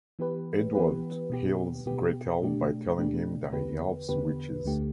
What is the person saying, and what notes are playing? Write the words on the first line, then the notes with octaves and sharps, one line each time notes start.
Edward heals Gretel by telling him that he helps witches.
E3 B3 G4 B4
E3 B3 G4 B4
B2 B3 G4
B2 B3 G4
B2 A3 D4 G4
B2 A3 D4 G4
E2 D3 B3 G4 B4
E2 D3 B3 G4 B4
D2 D3 A3 G4